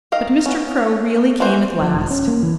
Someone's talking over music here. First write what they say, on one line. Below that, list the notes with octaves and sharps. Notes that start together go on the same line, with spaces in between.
But Mr. Crow really came at last.
D#3 D#5 F5
B3 C#4
E3 E4 F#4 C5
F3
E1
C#4
A#3
E3